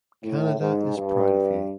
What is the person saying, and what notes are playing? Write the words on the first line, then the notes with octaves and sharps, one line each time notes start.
Canada is proud of you.
A2
G#2
G2